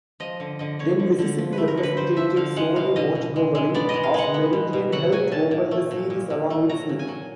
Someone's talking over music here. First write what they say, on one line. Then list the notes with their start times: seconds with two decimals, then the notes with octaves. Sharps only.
Then-Mississippi Representative Sonny Montgomery of Meridian helped open the series along with Smith.
0.20 F3 D#5
0.40 D3
0.59 D3 D#5
0.79 D3 C#5
0.99 D3
1.19 D3
1.38 F3
1.53 A3 B4
1.68 A#4
1.77 D3
1.83 B4
1.97 D3 C5
2.17 F3 E5
2.36 D3 F5
2.57 G#3 F#5
2.76 B2 F5
2.96 B2 D#5
3.15 B2
3.36 G#3
3.55 G#3
3.74 B3 D5
3.89 D#5
3.94 G#3
4.03 F5
4.14 G#3 F#5
4.34 B3
4.53 B2
4.73 B2
4.92 F#3 F#5
5.12 F#3 G#5
5.31 A#2 A5
5.51 A#2
5.71 A3
5.91 A#2
6.10 A#2
6.30 A#2
6.50 A3
6.69 F#3 A#5
6.89 A#2
6.99 G#5
7.08 F#3